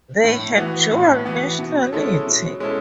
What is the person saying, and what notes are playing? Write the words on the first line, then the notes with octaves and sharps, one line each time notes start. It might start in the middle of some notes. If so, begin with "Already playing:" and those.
They had dual nationality.
A2
E3 B3 F#4
A2
E3 B3 F#4
B2
G#3 C#4 E4 A4
B2
G#3 C#4 E4 A4